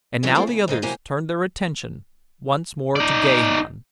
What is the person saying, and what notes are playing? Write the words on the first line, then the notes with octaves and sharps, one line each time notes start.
And now the others turned their attention once more to Gahan.
D#3 E3 F#3 B3 C#4 F4
F3 A3 A#3 C4 E4
C#3
G#2 D#3 D#5 F5
C3 E3 F#3 A#3 G4 G#5
D#4 D5